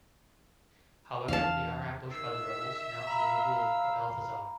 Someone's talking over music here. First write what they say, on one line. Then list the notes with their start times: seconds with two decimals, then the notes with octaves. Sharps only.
However, they are ambushed by the rebels, now under the rule of Balthazar.
1.28 E2 D4 F5 A5
2.11 D#3 E5 E6 C7
3.07 F5 A#5 B5